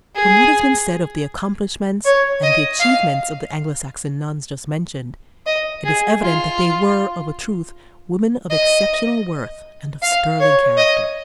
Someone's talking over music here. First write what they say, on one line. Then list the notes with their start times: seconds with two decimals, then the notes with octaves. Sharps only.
From what has been said of the accomplishments and achievements of the Anglo-Saxon nuns just mentioned, it is evident that they were, of a truth, women of exceptional worth and of sterling character.
0.15 G#4
2.05 C#5
2.43 D#5
2.80 F5
5.46 D#5
5.85 G#4
6.23 F4
8.50 D#5
10.02 F5
10.40 C#5
10.78 D#5